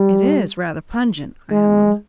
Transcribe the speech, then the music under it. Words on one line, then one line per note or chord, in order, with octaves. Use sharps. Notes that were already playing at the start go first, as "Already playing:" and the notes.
"It is rather pungent," I owned.
Already playing: G3
G#3